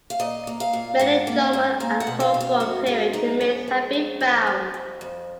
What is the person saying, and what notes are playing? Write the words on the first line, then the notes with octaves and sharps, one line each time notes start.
Many Jomon and Kofun period remains have been found.
F5
A#2 D#5
A#3
F5
A#2
G#2 F#5
A#3
G#2
A#3 F5
F#5
B2
F5
B2
F5
F#2 F#4
G#3 F4
F#2 D#4
F2 C#4
G#3
F2
F2
F3
F2
F2